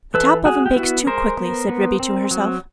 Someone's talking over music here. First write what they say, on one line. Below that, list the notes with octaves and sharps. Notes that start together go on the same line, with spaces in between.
"The top oven bakes too quickly," said Ribby to herself.
E3 A4 B4
G#3 F#4 G#4
G4
B3 E4 F#4
G#3 A#4 C5
B3
B3
C4
F#3